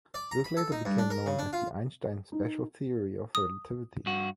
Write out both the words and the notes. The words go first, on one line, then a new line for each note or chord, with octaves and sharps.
This later became known as Einstein's special theory of relativity.
D5
A#5
B5
A4
D#4
G2
D4
A#4
C#3
D4
F4
D#4
D#6
G2 F#4